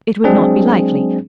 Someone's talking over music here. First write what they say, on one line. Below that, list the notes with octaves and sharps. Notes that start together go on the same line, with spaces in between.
It would not be likely.
F#3 G#3 C4 D4 G#4